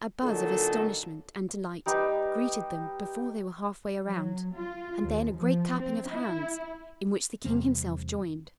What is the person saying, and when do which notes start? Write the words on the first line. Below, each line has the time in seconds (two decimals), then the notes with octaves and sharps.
A buzz of astonishment and delight greeted them before they were half way around, and then a great clapping of hands, in which the king himself joined.
0.22 A#2 D3 F#3 D#4 F4 A4
1.86 G3 D#4 G4 B4
4.03 F#3
4.55 F4
5.02 D#2
5.35 F3
5.78 C4
6.10 E4
7.44 E2 C3 G3 C4